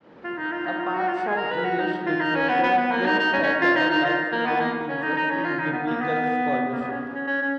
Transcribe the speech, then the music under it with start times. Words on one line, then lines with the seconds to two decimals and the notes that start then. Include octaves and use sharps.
Apart from English literature, Price had a lifelong interest in Biblical scholarship.
0.24 F4
0.37 D#4
0.52 F4
0.66 D#4
0.80 F4
0.94 F#4
1.08 F4
1.17 F#4
1.27 G#4
1.37 A#4
1.51 B4
1.64 F#4
1.78 D#4
2.06 F4
2.20 D#4
2.35 C#4
2.49 B3
2.63 B3
2.78 B3
2.91 A#3
3.05 D#4
3.19 D#4
3.33 C#4
3.43 C#4
3.61 F4
3.76 D#4
3.90 D#4
4.04 F4
4.32 A#3
4.46 B3
4.60 A#3
4.88 C#4
5.02 D#4
5.17 D#4
5.30 C#4
5.44 F4
5.59 D#4
5.73 B3
5.87 A#3
6.01 B3
6.72 A#3
6.81 B3
6.91 C#4
7.14 C#4
7.27 C#4
7.42 C#4